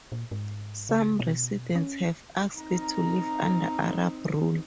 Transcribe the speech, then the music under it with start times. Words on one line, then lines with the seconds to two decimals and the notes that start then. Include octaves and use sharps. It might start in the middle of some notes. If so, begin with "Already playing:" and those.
Some residents have asked to live under Arab rule.
0.12 A#2
0.31 G#2
0.89 C#3
1.20 B2
1.75 C#4
2.58 C4 D#4 A#4 A#5